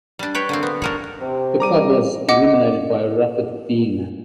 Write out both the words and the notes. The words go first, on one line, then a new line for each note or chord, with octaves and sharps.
The club was eliminated by Rapid Wien.
G3 D4
B4 C#5 G5
D3 A#3 C4
B3
D4 A#4 C#5
C3 C5
G3 A#5 D6 D#7
D#5 F#5 D6